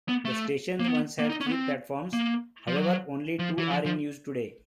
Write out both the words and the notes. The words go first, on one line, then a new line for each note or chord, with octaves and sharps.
The station once had three platforms, however only two are in use today.
B3
A3
A#3
B3
A#3
D#4
C#4
B3
C4
A#3
F3
F#3
F3
E3
F3
F3